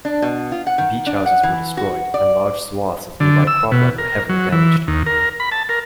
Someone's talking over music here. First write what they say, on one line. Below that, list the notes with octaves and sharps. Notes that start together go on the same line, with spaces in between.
Beach houses were destroyed, and large swaths of nearby cropland were heavily damaged.
D4
B2
F4
F#5
D#3
D4
F#5
E3
F#4
D5
D3
E6
B2
A#4
F#3
E3
D#2
A#4
B5
A5
A#4